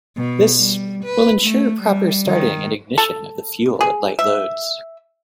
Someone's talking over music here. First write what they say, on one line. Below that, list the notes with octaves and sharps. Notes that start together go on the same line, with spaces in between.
This "will insure proper starting and ignition of the fuel at light loads".
B2
G3
B4
A3
G3
D#3
A4
G#4
E5